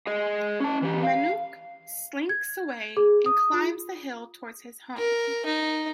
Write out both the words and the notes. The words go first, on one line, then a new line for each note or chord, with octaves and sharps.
Manuk slinks away and climbs the hill towards his home.
G#4 D#5
C#4 A5
E3 G4
F5
G#6
G#4
D#6
F4
A#4
D#4